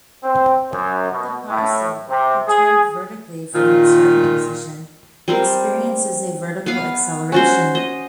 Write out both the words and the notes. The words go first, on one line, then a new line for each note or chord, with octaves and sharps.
The parcel, perturbed vertically from its starting position, experiences a vertical acceleration.
C4
F#2
B2
A2
C3
G#4
A#2 D#3 F4
G3 C4 A#4
B3 F5
C#4 F#4 C5
D#5